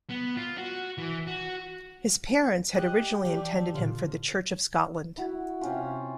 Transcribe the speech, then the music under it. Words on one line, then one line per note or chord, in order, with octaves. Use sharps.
His parents had originally intended him for the Church of Scotland.
B3
F4
F#4
E3
F#4
G4 D#5 F#5
E3 G3 A3
A#2 D3 F4
E4 F#4
C3 C#4 F4